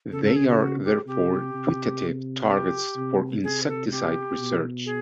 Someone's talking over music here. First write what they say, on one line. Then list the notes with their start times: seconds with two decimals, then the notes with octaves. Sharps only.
They are therefore putative targets for insecticide research.
0.12 C#3 A4
0.24 A4
0.36 G#4
0.47 F#4
0.60 F#4
0.84 G4
1.07 C3 G4
1.55 C3
2.49 G4
2.96 C3
3.43 C3 G#4
3.68 A4
3.91 G4
4.38 B2
4.86 G#4